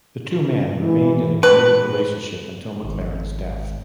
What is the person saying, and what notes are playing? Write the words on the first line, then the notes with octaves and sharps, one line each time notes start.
The two men remained in a committed relationship until McLaren's death.
E3
B4
G#1